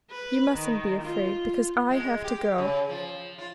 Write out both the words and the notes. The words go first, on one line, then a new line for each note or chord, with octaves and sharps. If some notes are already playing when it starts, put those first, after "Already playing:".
You mustn't be afraid, because I have to go.
B4
D#3
F4
G#3
G4
C#3
F3
F4